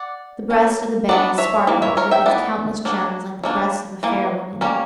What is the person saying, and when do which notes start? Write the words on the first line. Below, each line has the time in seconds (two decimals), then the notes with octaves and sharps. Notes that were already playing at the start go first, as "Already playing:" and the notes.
The breast of the bay sparkled with its countless gems like the breast of a fair woman.
Already playing: D5 F#5
0.50 F#3 C#4
1.09 F#3 B3 D4 D5 F#5
1.38 C#5 E5
1.67 E3 A#3
1.82 C#5 E5
1.97 A#4 C#5
2.11 E5 G5
2.26 E3 B3 D4 D5 F#5
2.85 F#3 A#3 D4
3.43 F#3 A#3 D4
4.03 E3 A#3
4.61 G3 A#3 C#4